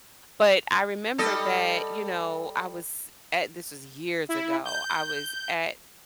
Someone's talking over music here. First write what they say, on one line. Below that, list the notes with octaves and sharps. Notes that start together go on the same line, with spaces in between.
but I remember that, you know, I was at this was years ago. I was at
G3 A4 D#5
E4
G6